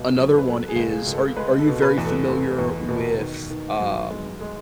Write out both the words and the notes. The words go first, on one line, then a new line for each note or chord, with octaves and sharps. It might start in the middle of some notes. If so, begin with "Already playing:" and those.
another one is are are you very familiar with, um,
Already playing: C#2 B2
F#3
B4
F#3 A4
G#4
C#2
G#4
C#2
A4
G#3 B4
A4
B2
B4
E2
A4
E2 A4
E2
B2
D#3
D#3
F#2
G#3
G#3